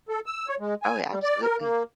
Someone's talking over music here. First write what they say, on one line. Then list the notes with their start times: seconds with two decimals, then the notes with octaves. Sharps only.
Oh, yeah, absolutely.
0.09 A4
0.26 E6
0.48 C#5
0.60 G#3
0.83 G#5
1.10 G3
1.23 D5
1.42 A#4
1.60 A#3